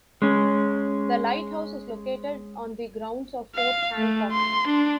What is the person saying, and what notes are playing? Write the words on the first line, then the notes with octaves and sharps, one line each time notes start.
The lighthouse is located on the grounds of Fort Hancock.
G#3 C#4
F5
A3
C6
D4